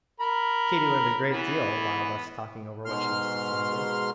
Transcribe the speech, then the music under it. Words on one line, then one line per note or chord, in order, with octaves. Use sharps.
Katy learned a great deal while thus talking over what she was to see and do.
A#4 B5
E3 B3
G#2 B2 C6 F6